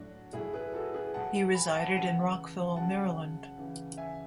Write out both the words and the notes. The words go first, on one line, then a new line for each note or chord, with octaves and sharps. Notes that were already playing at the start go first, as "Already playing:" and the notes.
He resided in Rockville, Maryland.
Already playing: A2 F#3 D4 F#4
A2 F#3 E4 G#4
G#4 B4
F#4 A4
G#4 B4
A2 F#3 F#5 A5
G#5 B5
F#5 A5
C#3 E3 F#5 A5
C#3 F#3 F#5 A5
C#3 E3
E5 G#5